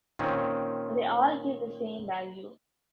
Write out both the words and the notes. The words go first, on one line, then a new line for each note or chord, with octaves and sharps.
They all give the same value.
A#2 D#3 C4 C#4